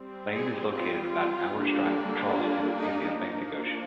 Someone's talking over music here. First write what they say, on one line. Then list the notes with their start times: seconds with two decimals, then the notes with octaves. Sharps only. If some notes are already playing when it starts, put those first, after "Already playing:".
Lane is located about an hour's drive from Charleston and the Atlantic Ocean.
Already playing: G3 C4
0.32 G#4
0.73 F4
1.54 D3 G3 A#3 D4
2.36 F4
2.76 D#4
3.17 F3 A#3 D4 D#4